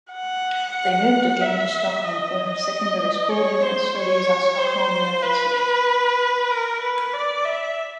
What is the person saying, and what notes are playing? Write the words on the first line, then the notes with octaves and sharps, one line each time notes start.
They moved again to Stockholm for her secondary schooling and studies at Stockholm University.
F#5
E5
D#5
C#5
C5
C#5
C5
B4
A#4
B4
D5
E5